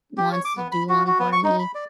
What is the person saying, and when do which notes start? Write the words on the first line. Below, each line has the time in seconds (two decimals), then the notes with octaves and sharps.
wants to do one for me,
0.17 G4
0.32 C#5
0.45 D6
0.57 B3
0.72 B5
0.89 F#4
1.07 F#4
1.19 B3
1.32 C#6
1.44 D#4
1.59 B5
1.75 D5